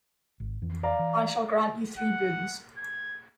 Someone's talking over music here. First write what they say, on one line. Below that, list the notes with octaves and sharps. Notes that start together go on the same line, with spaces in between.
I shall grant you three boons.
G#1
F2 E3
D5 F5 A#5
E3
F#5
G#6